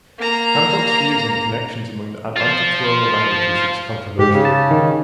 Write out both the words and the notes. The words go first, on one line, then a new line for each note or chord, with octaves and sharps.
Hancock's views on the connections among the Atlantic creole languages is controversial.
A#3 A#5
F4 C5
G#2 G4
C#3
A5
D#3